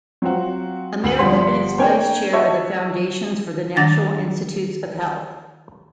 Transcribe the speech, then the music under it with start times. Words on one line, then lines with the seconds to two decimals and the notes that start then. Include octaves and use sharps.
America and is Vice-Chair of the Foundation for the National Institutes of Health.
0.22 F#3 C4 F4 F#4
1.03 D2 F#7
1.18 G1 F3 G3 F#5 C6 B6
1.79 A#3 D4 C#5 G5 G#5
2.32 F#4 C#5 D#5 E5 A5 C#6
3.77 D#3 D4 F#5 A6 A#6